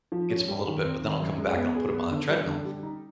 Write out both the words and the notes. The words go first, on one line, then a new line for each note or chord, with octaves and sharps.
Gets them a little bit but then I'll come back and I'll put 'em on a treadmill,
F3
C#4
G3
D#3
C4
D#3
F#2
G#3
B3
G#4
B3
D3
G3
D3
G3
D#4